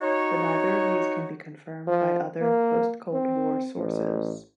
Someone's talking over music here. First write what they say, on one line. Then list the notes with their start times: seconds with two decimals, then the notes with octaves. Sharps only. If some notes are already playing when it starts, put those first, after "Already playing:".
But neither of these can be confirmed by other, post-Cold-War sources.
0.01 D#4 F#4 C#5
1.87 F3
2.41 A#3
3.13 C4
3.77 A1